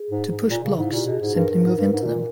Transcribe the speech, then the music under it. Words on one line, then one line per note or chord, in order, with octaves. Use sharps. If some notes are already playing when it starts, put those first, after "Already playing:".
To push blocks, simply move into them.
Already playing: G#4
G#2
G#2
A#2
C#3
G#2 E4
A#2 G4
B2 G#4
G#2 G#4
G2 A#4
G2
G#2
G2
G#2
B2
A#2